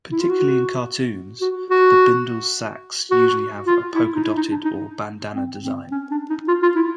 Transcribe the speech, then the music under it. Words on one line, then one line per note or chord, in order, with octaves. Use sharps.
Particularly in cartoons, the bindles' sacks usually have a polka-dotted or bandanna design.
E4
F4
F#4
F#4
F#4
F#4
F4
E4
D#4
E4
D#4
D4
D#4
C4
C4
C#4
D4
D#4
F4
F4
E4